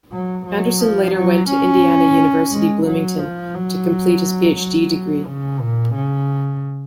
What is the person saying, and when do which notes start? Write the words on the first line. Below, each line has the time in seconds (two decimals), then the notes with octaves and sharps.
Andersson later went to Indiana University Bloomington to complete his Ph.D. degree.
0.12 F#3
0.46 F#3
0.80 F3
1.15 F#3
1.49 C#4
2.51 G#3
2.86 F#3
3.20 F3
3.54 F#3
4.57 F#3
5.26 C#3
5.60 A#2
5.94 C#3